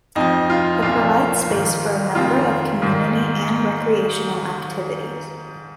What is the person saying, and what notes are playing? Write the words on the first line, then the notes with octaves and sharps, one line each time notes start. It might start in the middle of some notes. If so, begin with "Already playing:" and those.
It provides space for a number of community and recreational activities.
F2 F3 D#4
F4
C2 A#2 F3 F4
G#2 D#3
F2 D#3 F4
G#2 D#3